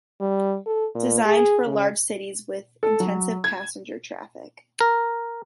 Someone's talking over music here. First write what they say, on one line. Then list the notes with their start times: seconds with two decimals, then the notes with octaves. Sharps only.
Designed for large cities with intensive passenger traffic.
0.21 G3
0.67 A4
0.95 A#2
1.26 G#4
1.67 C#3
2.83 A4
3.00 F#3
3.44 G#6
4.80 A#4